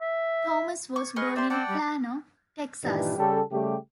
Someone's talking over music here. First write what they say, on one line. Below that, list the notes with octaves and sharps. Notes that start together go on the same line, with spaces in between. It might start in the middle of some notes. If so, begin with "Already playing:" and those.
Thomas was born in Plano, Texas.
E5
C#6
G#4 B4 D#5 C#6 F6
G4 C5 D5 E5 C6
C4 D5 F#5 G5 A5 D6
G3
G2 A#2 D#3 E3 G3 D4
C#3 G3 C#4 G4 A4
C#3 G3 A3 G4